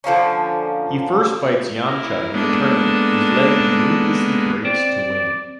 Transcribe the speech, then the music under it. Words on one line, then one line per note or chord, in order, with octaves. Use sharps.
He first fights Yamcha in the tournament, whose leg he ruthlessly breaks to win.
D3 F3 A#3 C#4
E4 A#4
G#3 A#3 B3 D4 A4
C4 D5